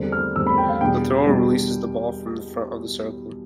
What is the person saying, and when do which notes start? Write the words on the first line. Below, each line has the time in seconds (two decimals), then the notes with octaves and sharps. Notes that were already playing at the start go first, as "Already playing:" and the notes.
The thrower releases the ball from the front of the circle.
Already playing: E2 D3 G3 C4
0.12 F6
0.35 E2 D3 G3 C4 E6
0.47 B5
0.58 G5
0.69 F5
0.80 E2 B2 G3 B3 D4 G5
1.26 E2 B2 G3 B3 D4